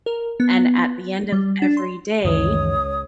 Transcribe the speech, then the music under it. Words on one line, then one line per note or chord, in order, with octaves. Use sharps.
and at the end of every day,
A#4
B3
G3
D4
C6
C#2 F#2 D#3 E3 C#5 D#6